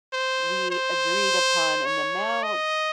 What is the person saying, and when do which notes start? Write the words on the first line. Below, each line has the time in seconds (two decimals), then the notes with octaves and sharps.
We agreed upon an amount.
0.13 C5
0.71 C5
1.85 C#5
2.43 D#5